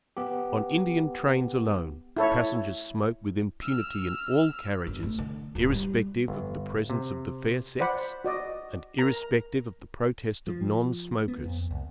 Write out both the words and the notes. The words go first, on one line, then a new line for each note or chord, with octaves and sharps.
On Indian trains alone passengers smoke with impunity in all carriages irrespective of the presence of the fair sex and irrespective of the protest of non-smokers.
B3 G4
E4 A4 C#5
E6 F6
G1
A3
D3
D1
G3
G1
C3
C5 D5 F#5 B5
F#4 D5 D#5
A#4 A#5
F3
B3
F2
C2